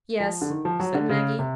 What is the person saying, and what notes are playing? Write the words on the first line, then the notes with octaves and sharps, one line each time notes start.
"Yes," said Maggie.
F3
D3
D#3
F3
F#3
D3
C#3
C3